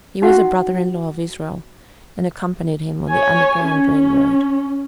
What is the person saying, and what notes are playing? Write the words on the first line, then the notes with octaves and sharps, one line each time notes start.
He was a brother-in-law of Israel, and accompanied him on the Underground Rail Road.
D#4 F#4 F#5
C#5 G#5
C#4